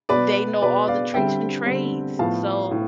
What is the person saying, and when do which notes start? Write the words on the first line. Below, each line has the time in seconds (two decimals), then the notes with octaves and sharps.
they know all the tricks and trades, so
0.09 B2 B3 B4 D5
0.62 B2 B3 B4 D5
0.88 D5 F5
1.14 D3 G3 C4 E5 G5
1.66 D3 G3 C4
2.19 A2 F3 B3 F5 A5
2.71 A2